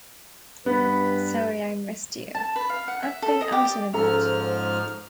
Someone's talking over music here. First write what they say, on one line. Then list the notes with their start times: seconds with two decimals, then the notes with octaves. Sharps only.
Sorry I missed you – I've been out and about.
0.66 G2 B3 B4
2.35 A5
2.56 B4
2.70 F5
2.88 F#5
3.03 E5
3.22 A4
3.41 D#5
3.52 G4
3.65 D5
3.93 G#2 F3 C#4 A4 A#5 F6